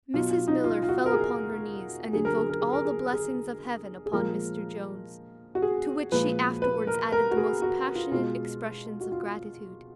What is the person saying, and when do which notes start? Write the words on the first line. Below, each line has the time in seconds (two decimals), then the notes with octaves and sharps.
Mrs Miller fell upon her knees and invoked all the blessings of heaven upon Mr Jones; to which she afterwards added the most passionate expressions of gratitude.
0.14 B2 F#3 F4
0.31 F4
0.48 D#4
0.64 F4
0.83 F4
0.89 F#4
1.06 A#4
1.13 G#4
2.13 D3 F#3 G#4
2.25 A#4
2.37 G#4
2.49 A#4
2.61 G#4
2.73 A#4
2.85 G#4
3.13 G#4
4.06 G#4
4.13 A#2 F3 G#3 A#4
5.55 F#4
5.62 G#4
6.12 A#2 F3 G#3 B4
6.62 B4
6.87 A#4
7.12 A#4
7.31 F#4
7.37 G#4
7.62 F#4
7.95 F4
8.11 B2 G#3 F4
9.01 F#4
9.12 F4